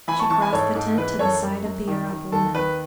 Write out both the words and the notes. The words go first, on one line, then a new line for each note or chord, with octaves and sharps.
She crossed the tent to the side of the Arab woman.
E3 G#5 B5
A5 C#6
E3 A5 C#6
G#5 B5
G#2 A4 C#5
G#2 A4
E3 B4
F#2 A4 C#5
F#2
F#2
D#3
D#3
D#2 A4
D#3 B4